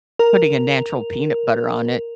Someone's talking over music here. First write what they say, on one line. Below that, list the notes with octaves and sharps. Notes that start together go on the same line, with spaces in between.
putting a natural peanut butter on it,
A#4